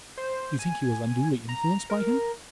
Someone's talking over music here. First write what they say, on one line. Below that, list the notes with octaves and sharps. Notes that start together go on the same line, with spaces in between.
"You think he was unduly influenced by him?"
C5
G#5
A#5
A#4